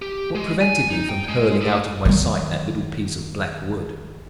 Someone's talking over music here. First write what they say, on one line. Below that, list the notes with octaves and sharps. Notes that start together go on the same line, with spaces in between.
What prevented me from hurling out of my sight that little piece of black wood?
G4
G#3
G#5
D#4
G5
G#3
A2
D#3 F#3